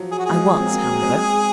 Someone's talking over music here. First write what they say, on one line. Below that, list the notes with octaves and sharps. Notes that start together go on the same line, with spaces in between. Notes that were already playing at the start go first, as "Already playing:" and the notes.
I was, however.
Already playing: F3 F#3
G#4
F#4
F3 G#3 G#4
C4
F#3 A#3
G#3 C4